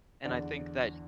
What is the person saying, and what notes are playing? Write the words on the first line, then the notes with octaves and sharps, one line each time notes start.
And, I think that
E2 D3 D5 F#5